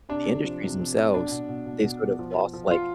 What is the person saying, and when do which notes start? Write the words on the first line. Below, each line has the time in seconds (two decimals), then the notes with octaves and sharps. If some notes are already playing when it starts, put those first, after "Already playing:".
the industries themselves, they've sort of lost, like,
0.09 C3 D4
0.27 C3
0.45 F3
0.62 C3
0.80 C3
0.97 C3
1.14 B2 D4
1.31 B2
1.49 B2
1.66 B2
1.84 B2
2.02 B2
2.19 F3
2.36 F3
2.54 F3
2.71 F3 F4